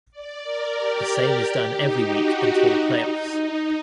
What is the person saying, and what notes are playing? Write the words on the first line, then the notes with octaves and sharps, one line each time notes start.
The same is done every week until the playoffs.
D5
A#4
G4
G4
D#4
F#4
D#4